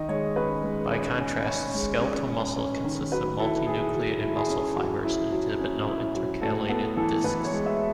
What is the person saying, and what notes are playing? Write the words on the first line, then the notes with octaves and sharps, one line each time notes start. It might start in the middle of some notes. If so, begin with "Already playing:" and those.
By contrast, skeletal muscle consists of multinucleated muscle fibers and exhibit no intercalated discs.
Already playing: D#3 D#5
G#3 C#5
C#4 B4
G#3
C#4
C#4
C#4 C#5
G#3
C#4
C#4
C#4
D#3
F#3 B4
E4 A4
E4 G#4
F#3
E4
G#4
C#4
F#3
E4
F#3
C#4
E4
F#3
A2 A4
B3 A4
E3 A4
E3 B4
C#5
G#3
E5